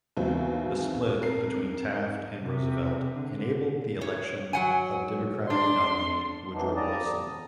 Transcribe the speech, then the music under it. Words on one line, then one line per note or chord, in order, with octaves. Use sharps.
The split between Taft and Roosevelt enabled the election of Democratic nominee Woodrow Wilson.
D#2 E3 F#3 B3 C4
F2 A#4 C7
C3
D3
C#5
F#3 F#5 G#5
D4 C6
G#2 E3 F#3 B3 D4 D#4
F3 G3 D5 A5 A#5 D#6
E2